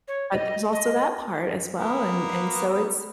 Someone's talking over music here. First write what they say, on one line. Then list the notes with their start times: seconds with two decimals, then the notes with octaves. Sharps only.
but there's also that part as well, and and so it's
0.08 C#5
0.31 D#5
0.73 D#5
1.76 A#3 B3 B4